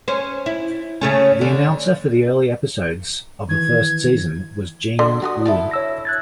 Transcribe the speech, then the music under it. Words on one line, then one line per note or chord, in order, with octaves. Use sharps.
The announcer for the early episodes of the first season was Gene Wood.
C#4 C5
E4
C#3 A3 C#4
D3
D#3 E3 G#6
D3
F#4 A5 D#6
E4 A4 A5
C#5 E6 A#6
F#6 G#6 A6